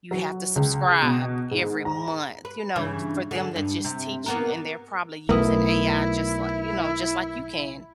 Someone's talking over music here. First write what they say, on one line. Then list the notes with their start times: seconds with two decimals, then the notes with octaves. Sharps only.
you have to subscribe every month, you know, f for them to just teach you. And they're probably using AI just li you know, just like you can,
0.11 F#3
0.56 C#2
1.02 B2
1.51 G#2
1.85 A#5
2.45 B4
2.76 G2 C#3 E3
3.31 D3 G#4
3.56 G2
3.85 C3
4.26 A#3 B3 A#4
5.29 B1 A3 E4 A#4 B4 D#6